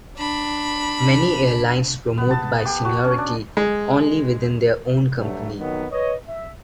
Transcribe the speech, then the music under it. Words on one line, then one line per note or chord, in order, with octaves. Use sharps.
Many airlines promote by seniority only within their own company.
D4 B5
B3
A5
G4
F#4
C#4
D4
G#3
G2 F#3 A3
F2 D#3 F#3 B3
B4 C#5 D#5
E5